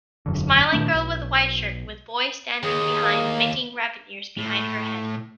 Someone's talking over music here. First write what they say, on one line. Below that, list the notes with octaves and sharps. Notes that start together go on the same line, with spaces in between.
Smiling girl with white shirt with boy standing behind making rabbit ears behind her head.
E1 F#2 D3
A#2 D#3 A3 D4
B1
D#2 G#4
A#3
A2